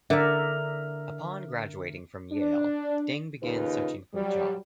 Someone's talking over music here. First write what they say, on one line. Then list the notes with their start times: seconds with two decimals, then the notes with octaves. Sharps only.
Upon graduation from Yale, Deng began searching for a job.
0.10 D3 A#4 D5 E5
2.32 D4
3.43 D#2 C#3 D#4 F4 B4
4.14 F#3 G3